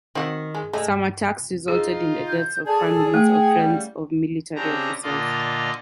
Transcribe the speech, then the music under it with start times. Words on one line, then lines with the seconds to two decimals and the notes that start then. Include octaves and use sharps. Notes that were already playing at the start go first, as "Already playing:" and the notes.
Some attacks resulted in the deaths of the families or friends of military officers.
0.15 D#3 C4 F#4
0.55 G#3
0.73 G#3 A3
1.68 D#4 F4 G#4
2.26 G6
2.66 G#4 A4 D5 A5
3.14 A3 F#5 G5
3.55 C#3 G3
4.55 C#3 C4 D4 G4 A#5
5.02 A#2 D3 F4 D5 D#5